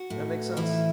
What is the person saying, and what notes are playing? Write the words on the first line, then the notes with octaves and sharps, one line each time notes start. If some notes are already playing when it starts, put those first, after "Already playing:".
that makes sense?
Already playing: F#4
A2
E3 E4